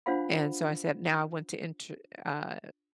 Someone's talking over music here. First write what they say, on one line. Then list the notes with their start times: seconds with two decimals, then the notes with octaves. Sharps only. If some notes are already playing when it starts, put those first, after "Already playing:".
and so I said, “Now I want to enter “uh,
0.06 D4 F4 C5 F5 F#5 B5